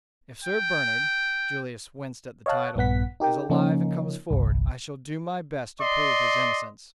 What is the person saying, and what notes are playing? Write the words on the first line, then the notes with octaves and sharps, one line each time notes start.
"If Sir Bernard"--Julius winced at the title--"is alive and comes forward, I shall do my best to prove his innocence."
G5
C#5 D#5 F5 A5 F#6
A#1 G2 B3 F#5 B6
D#4 G4 A#4 G5
C#3 F3 A#3 C#4 D#4
G1 C2
D5 D#5 C6